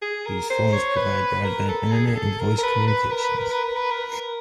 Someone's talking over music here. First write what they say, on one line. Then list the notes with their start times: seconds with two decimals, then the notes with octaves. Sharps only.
These phones provide broadband Internet and voice communications.
0.02 G#4
0.26 A#4
0.50 C5
0.73 C#5
0.97 B4
1.44 A#4
1.69 A4
1.93 G#4
2.07 G#4
2.16 A4
2.40 A#4
2.58 A#4
2.63 B4
2.87 B4
3.11 A#4
3.24 B4
3.38 A#4
3.51 B4
3.64 A#4
3.76 B4
3.91 A#4